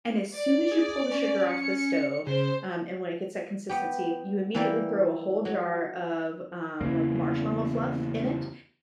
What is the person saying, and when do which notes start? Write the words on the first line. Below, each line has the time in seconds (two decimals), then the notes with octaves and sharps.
and as soon as you pull the sugar off the stove, um, and when it gets that consistency, you immediately throw a whole jar of, um, like, marshmallow fluff in it,
0.36 D5
0.71 G#4
1.11 C#4
1.51 C#7
2.26 C#3 C5
3.69 B3 G4
4.54 E3 G3 A#3
5.45 F#3
6.81 E2 C#3 E3 A#3